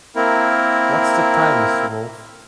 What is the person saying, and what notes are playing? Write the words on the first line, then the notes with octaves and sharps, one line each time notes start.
What's the time, Mr Wolf?
A#3 C4 E4 A#4